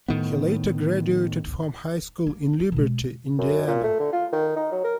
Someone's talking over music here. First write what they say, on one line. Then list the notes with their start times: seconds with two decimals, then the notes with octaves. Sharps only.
He later graduated from high school in Liberty, Indiana.
0.08 A2 D#3 B3
2.27 A#3
2.59 F4
2.72 B2 G#3
3.39 F#2
3.67 A#2
3.84 A3
4.00 D3
4.13 F4
4.32 D#3
4.56 D#4
4.72 F#3
4.84 A#4